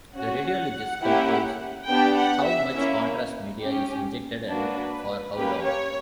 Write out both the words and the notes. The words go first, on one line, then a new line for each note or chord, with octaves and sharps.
The radiologist controls how much contrast media is injected and for how long.
C#4 F#4 F#5
A#3 C#4 E4 G4
B3 D4 G4 G5
F#5
E5
A#3 C#4 E4
C#4 G4
A#3 D4 F#4 B4
A#3 C#4 G4 B4
C#5